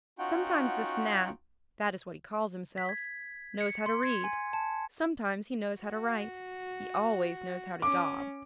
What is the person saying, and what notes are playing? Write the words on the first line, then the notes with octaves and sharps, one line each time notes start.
Sometimes this gnat--that is what he calls himself--knows how to read; sometimes he knows how to write; he always knows how to daub.
C#4 D#4 F4 F#4 F#5 G5
B6
G#6
C#7
C6
G#6
G#5
A5
F#4
C#4 D6